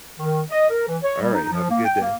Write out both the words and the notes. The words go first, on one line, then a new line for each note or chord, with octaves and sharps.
Alright, have a good day.
D#3
D#5
A#4
E3
C#5
G3
D#4
F3
A#3
G5
A#3